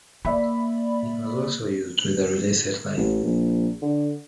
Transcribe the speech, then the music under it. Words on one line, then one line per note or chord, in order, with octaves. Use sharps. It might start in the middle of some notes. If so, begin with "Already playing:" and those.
It was also used with the Relay satellite.
A#3 D5 E5 B5
A1
A#1
D3